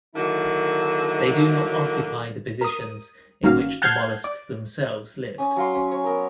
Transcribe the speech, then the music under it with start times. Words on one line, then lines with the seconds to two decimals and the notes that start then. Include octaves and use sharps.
They do not occupy the positions in which the molluscs themselves lived.
0.15 D3 D#3 F#3 A#3 E4
2.61 A#4 D#6
3.43 G1 D#3 A#3 C#4 F#4 F5
3.82 F#5 A5 F6 G6 G#6 C7
4.24 D5
5.38 C#4 D#6
5.56 F#3 F5 C6
5.75 C#4
5.91 C#5
6.04 B3 A#4